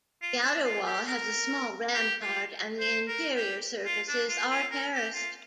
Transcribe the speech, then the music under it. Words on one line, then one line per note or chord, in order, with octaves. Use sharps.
The outer wall has a small rampart, and the interior surfaces are terraced.
F4
D4
F4
G4
A#4
G4
F4
C5
A#4
G4
F4
D4
F4
F4
A#4
G4
F4